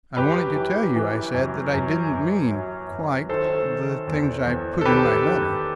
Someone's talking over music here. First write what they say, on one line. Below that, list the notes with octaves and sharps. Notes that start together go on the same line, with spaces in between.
"I wanted to tell you," I said, "that I didn't mean quite . . . the things I put in my letter."
F#2 G4 B4
E3
E3
F#2
F#2
F#2
F#2
F#2
D#3 A4 C5
D#3
E2
E2
A4
D#3 G4 B4
D#3